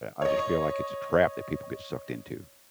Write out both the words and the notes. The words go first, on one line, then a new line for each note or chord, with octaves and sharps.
I I just feel like it's a trap that people get sucked into.
C#5 D#5